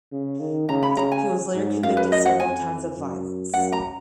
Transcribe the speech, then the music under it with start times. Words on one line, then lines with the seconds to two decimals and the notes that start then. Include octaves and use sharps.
He was later convicted several times of violence.
0.12 C#3
0.40 D#3
0.69 C#3 A#5
0.83 B5
0.97 C#3 A#5
1.12 G#5
1.55 G#2
1.83 F#2 F5
1.97 B4
2.12 D#5
2.26 F#5
2.40 F2 G#5
2.97 F#2
3.54 F#2 F#5
3.72 A#5